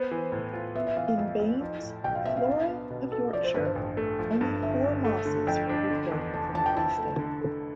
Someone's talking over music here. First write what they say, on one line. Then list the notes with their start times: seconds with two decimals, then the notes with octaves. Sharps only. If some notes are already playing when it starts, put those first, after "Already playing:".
In Baines's "Flora of Yorkshire" only four mosses were recorded from Teesdale.
Already playing: B3 C5
0.11 E3
0.32 A2
0.54 F4
0.75 B3 E5
0.87 E5
0.97 E3 F5
1.08 F5
1.18 F2
1.39 F2
1.61 F3
1.83 A2
2.04 B1 G5
2.15 F5
2.25 B3 E5
2.36 F5
2.47 D4
2.68 B3
2.91 B2
3.12 A4
3.33 F3 D5
3.44 C5
3.54 G2 B4
3.65 C5
3.75 A1
3.97 A3
4.19 F3
4.41 G2
4.62 G1 E5
4.83 G1
5.05 A3
5.26 D3
5.47 F2 G5
5.69 D4
5.90 D3
6.12 E2
6.33 F1 A5
6.55 F3 A5
6.66 G5
6.76 E4 A5
6.98 A3
7.19 D3
7.41 A4